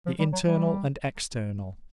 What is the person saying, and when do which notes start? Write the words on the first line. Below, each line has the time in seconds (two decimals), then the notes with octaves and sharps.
The Internal and External.
0.06 F3
0.19 G3
0.32 F#3
0.46 G3